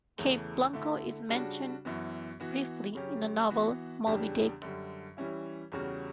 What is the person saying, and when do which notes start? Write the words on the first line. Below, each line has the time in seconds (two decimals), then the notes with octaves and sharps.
Cape Blanco is mentioned briefly in the novel "Moby Dick".
0.18 E2 C#3 E3 A3
0.73 D3 A3 E4
1.29 C#3 G3 D4 F#4
1.85 F#2 E3 B3 F#4
2.40 E3 B3 F#4
2.95 C#3 F#3 C#4 G4
3.50 E3 B3 F#4
4.07 E2 C#3 G3 D4 G4
4.62 F#2 D3 G3
5.17 E3 G3 C#4 E4
5.72 E2 C#3 G3 C#4 F#4